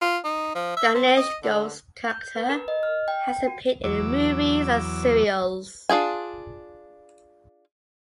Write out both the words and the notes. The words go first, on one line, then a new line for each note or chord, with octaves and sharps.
Ganesh Ghote's character has appeared in a movies and serials.
F4
D#4
F3
E5
C4
D#5
D3
G6
B4
A#4
D#5
F6
G5
F#4
E2 F#3 D6 E6
D4 F4 G#4 G#5